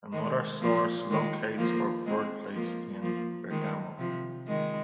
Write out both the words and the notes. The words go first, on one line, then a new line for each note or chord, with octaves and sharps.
Another source locates her birthplace in Bergamo.
D#3 G#3
F3 A#3
D#3 G#3
F3 A#3
G#3 C4
F3 A#3
F3 A#3
D#3 G#3
C3 F3
D#3 G#3